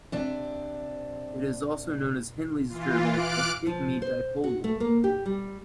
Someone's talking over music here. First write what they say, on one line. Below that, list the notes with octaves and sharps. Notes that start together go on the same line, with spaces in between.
It is also known as Henley's gerbil or pygmy dipodil.
C3 D4
E3 F4
D6 F6 F#6 D7
F3
C5
F#4
A3
A#3
G4
G3